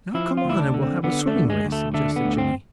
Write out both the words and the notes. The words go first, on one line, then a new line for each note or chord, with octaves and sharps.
"Now come on and we'll have a swimming race," suggested Jimmie.
F3 E4
F4
D2 E4
D4
D3
C4
D3 B3
A3
D2
G#3
D2
A3
D3 A3
B3
D2
C4